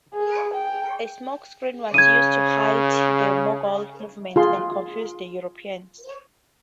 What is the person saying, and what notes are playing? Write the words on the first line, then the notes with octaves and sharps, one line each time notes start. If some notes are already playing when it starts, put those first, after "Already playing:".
A smokescreen was used to hide the Mongol movements and confuse the Europeans.
G#4
G5
C#3 G#6 D#7
F4 G#4 C6